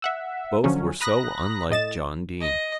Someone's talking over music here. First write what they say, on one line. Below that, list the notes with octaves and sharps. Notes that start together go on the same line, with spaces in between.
Both were so unlike John Dene.
E5 F#5 E6
D3 F3 F#3 C#4
A#5 B5 D#6 F#6 A#6
A2 D#5 A6 E7
D#5